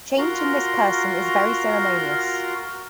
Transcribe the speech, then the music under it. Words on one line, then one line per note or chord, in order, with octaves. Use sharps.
Changing this person is very ceremonious.
F4 F#4 A#4 A#5 C6